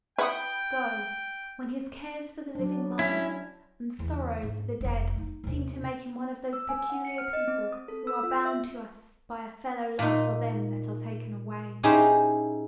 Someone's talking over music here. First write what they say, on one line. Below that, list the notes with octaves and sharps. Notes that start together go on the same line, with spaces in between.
Go, when his cares for the living mother, and sorrow for the dead, seemed to make him one of those peculiar people who are bound to us by a fellow-love for them that are taken away.
E4 B4 F#5 G5 B5 D#6
F#3 D4
C#4 E4
E2 C#3
G#2
F1 B3
D#4
D#2 C3
E6
G#5
F#5
C#7
F6
D#5
C4
D#6
A4
E6
F4
E5
A#2 D#4
C#4 D#4 E4 G4 G#4 C5